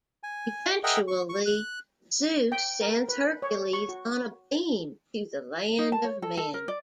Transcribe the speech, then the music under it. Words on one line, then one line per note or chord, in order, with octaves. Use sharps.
Eventually Zeus sends Hercules, on a beam, to the land of men.
G#5
G#4 A#4 D#5 E5 F#5 G5
C#6
C#6
F#6
G5
A#4
B4
C#5
C#6
F#4
D#4
A5
C#5
A4
A4
A#4
D5